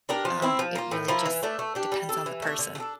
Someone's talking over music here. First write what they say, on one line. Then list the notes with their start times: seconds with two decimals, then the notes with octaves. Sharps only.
um, it really just depends on the person.
0.09 D4 G4 A#4
0.25 F3
0.42 C4 E4
0.59 F3
0.75 A#3 F4
0.91 A2
1.08 F3 A#3 E4
1.26 E3
1.43 A3 D4 A4
1.59 A3
1.75 D4 G4
1.92 G3
2.09 D4 A4
2.26 E3
2.42 A3 D4
2.59 D3
2.75 A3
2.78 D4 A4